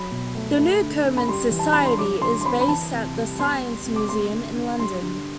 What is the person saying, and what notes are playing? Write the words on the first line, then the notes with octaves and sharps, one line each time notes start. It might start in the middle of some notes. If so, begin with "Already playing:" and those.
The Newcomen Society is based at the Science Museum in London.
Already playing: F#3 B5
B2
A3
A3
D3
F#2
B5
G3 C6
E3
A5
D4 B5
C6
F#3 D6
D3 C6
C6
C4 B5
B5
E3 A5
C3
G3
B3 C6
G3
C3
D6
A3 C6
D3
D4
G3 C6
D3